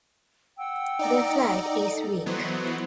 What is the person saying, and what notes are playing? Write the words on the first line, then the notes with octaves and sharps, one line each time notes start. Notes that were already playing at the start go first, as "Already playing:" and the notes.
Their flight is weak.
F#5 G5 E6
D#4 D5 A#5
A4 D#5
E3 F#3 B3 C5